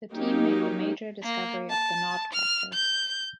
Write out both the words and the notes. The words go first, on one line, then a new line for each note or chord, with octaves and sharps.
The team made the major discovery of the Nod factors.
F#3 A#3 C#4 D#4 F#4 G4
A#3
A5
F6
G6